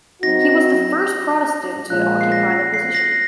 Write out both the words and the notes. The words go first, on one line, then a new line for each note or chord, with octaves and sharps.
He was the first Protestant to occupy the position.
F#3 C4 D#4 F#4 A#6
A#2 F3 G#3 C#4 F4 F#6
C7
A#6
C7
A#6